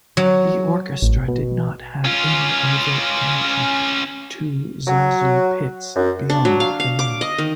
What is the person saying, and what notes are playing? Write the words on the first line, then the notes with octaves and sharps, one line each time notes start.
The Orchestra did not have any overt connection to ZaSu Pitts beyond the name.
F#3
A1
B2
C#4 F4
F#3
F#2
D4
F#3
F5
F5
D6
D#5
D#3